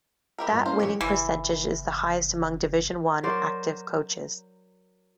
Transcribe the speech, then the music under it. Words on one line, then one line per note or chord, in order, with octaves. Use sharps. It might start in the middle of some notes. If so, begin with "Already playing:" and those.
That winning percentage is the highest among Division I active coaches.
E4 G4 A#4
G2 F4 D#5
A#3 C#4 E4 C5 F5 A#5
F#2 E3 G3 G4 C#5
F#1 E3
F#3 A#4 C5 D5